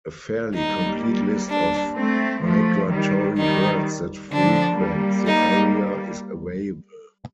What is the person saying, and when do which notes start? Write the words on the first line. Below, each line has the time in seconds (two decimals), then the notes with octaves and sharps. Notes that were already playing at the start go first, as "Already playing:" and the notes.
A fairly complete list of migratory birds that frequent the area is available.
0.54 G3 A#3 D#4
1.50 D4
1.96 A3 C4
2.43 F3 A3
2.90 D#3 G3
3.37 D#3 G3 D#4
4.32 D3 F3 D4
4.79 G3 A#3
5.27 D#4